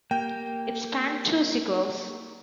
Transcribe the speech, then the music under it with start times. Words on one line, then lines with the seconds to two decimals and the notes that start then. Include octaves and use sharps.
It spanned two sequels.
0.11 A#3 G4 G5